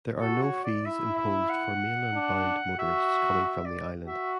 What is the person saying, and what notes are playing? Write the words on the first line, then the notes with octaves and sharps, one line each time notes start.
There are no fees imposed for mainland-bound motorists coming from the island.
F#4 A4
C#5
D5
E4 E5
E5
F#5
D4
F#4 E5
E5
D5
F#4 E5